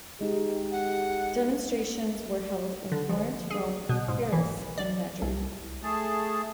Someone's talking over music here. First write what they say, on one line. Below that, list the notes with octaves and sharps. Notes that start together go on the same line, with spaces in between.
Demonstrations were held in Florence, Rome, Paris and Madrid.
G#3 D#4 G4
F#5
D3
F3
G#4
B2
G#2
E3
D5
C2
A3 G#4 A5